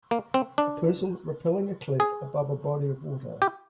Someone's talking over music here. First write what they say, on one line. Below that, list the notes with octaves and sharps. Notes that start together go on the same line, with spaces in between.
A person rappelling a cliff above a body of water.
A#3
C4
D4
G#4
G4